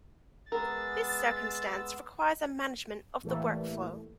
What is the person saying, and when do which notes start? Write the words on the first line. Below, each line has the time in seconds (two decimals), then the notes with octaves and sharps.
This circumstance requires a management of the workflow.
0.52 G#3 B3 A#4 E6 A6
3.23 A2 E3 G3 A3 A#3